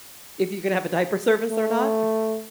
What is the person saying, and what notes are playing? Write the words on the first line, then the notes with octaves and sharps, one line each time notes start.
If you could have a diaper service or not?
A3